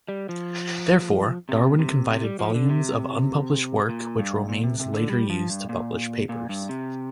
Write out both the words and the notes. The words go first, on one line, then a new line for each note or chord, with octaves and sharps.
Therefore, Darwin confided volumes of unpublished work which Romanes later used to publish papers.
G3
F3
C3
C3
C3
G3
F3
D3
C3
A#2
G2
A#2
C3
C3
D3
G3
F3
G2
A#2
A#2
G2
C3